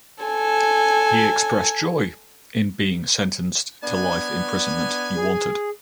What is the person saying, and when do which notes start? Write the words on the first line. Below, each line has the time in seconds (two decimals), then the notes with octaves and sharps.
He expressed joy in being sentenced to life imprisonment he wanted.
0.24 A4 G#5
3.83 B3 D4 G#5
5.16 G#4